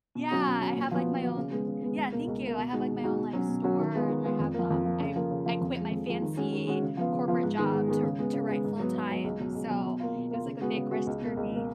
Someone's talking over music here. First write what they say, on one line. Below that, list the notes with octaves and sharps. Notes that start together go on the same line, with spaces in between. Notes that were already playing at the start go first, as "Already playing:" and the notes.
Yeah, I have, like, my own Yeah, thank you. I have, like, my own, like, store, and I have um, I I quit my fancy corporate job to to write full time. So, it was, like, a big risk for me
B2
F#3 C#4 F#4
B2
F#3 C#4 F#4
A#2
F3 B3 F#4
A#2
F3 B3 F#4
C#3
G#3 B3
C#3
G#3 B3
C#2
B2 A#3
C#2
B2 A#3
B2
G#3 D#4 F#4
B2
G#3 D#4 F#4
B2
F#3 C#4 F#4
B2
F#3 C#4 F#4
D#3
G#3 B3 F4
D#3
G#3 B3 F4
F2
F3 A#3
F2
F3 A#3
C#3
F3 A#3
C#3
F3 A#3
F2
F3 G#3
F2
F3 G#3
D#3
G#3 C#4 F#4
D#3
G#3 C#4 F#4
C#3
F3 B3 F4
C#3
F3 B3 F4
G#2
D#3 G#3 B3
G#2
D#3 G#3 B3
C#3
G#3 B3
C#3
G#3 B3
G#2
F#3 B3
G#2
F#3 B3
C#2
B2 F#3
C#2
B2 F#3
B2
A#3 F4
B2
A#3 F4
C#3
G#3 B3 F#4
C#3
G#3 B3 F#4
C#2
B2 A#3
C#2
B2 A#3